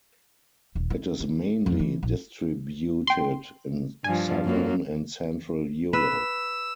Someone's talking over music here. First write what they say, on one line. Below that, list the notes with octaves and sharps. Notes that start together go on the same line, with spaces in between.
It is mainly distributed in southern and central Europe.
D#1
E4
E4
F2
E3
A#1
G5 C6
G2 F3 G#5
F#2 A#3
B4 E6